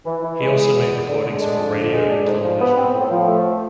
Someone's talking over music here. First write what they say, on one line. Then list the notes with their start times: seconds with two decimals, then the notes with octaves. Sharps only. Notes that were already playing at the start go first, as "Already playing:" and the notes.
He also made recordings for radio and television.
0.06 E3
0.23 E3
0.40 G#3
0.57 B3
0.74 E2
0.91 E2
1.08 D3
1.24 G#3
1.42 D4
1.58 F2
1.76 D3
1.93 G#3
2.10 D4
2.26 G#2
2.44 F3
2.61 B3
2.77 C4
2.94 A2
3.11 F3
3.28 A3